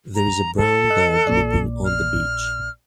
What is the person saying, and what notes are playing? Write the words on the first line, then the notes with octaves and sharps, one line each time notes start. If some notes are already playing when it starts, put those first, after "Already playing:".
There is a brown dog leaping on the beach.
A#5
A4
D#5 E6 F#6
A#1 A#2 D5
F6